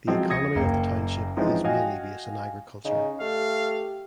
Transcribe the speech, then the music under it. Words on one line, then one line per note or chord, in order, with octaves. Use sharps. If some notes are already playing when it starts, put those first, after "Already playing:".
The economy of the township is mainly based on agriculture.
F3 F#3 G#3 C4 F4
D#6 G#6 A#6 C#7
F#1 A#3 G5
E3 F3 G#3 C4 C#4 D#4
F#4 D#5 F5 G5 G#5
C#3 D#4
A3 G4 F5